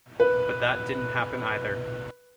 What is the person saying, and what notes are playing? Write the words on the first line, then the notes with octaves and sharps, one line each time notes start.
But that didn't happen either.
B4